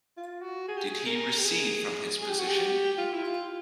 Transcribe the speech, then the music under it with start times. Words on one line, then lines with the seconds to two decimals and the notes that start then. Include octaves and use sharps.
Did he recede from his position?
0.17 F4
0.42 F#4
0.68 G#4
0.78 G4
0.87 G#4
1.06 A#4
1.38 G4
1.45 G#4
2.22 G#4
2.30 G4
2.39 F#4
2.48 G4
2.98 F4
3.12 E4
3.23 F4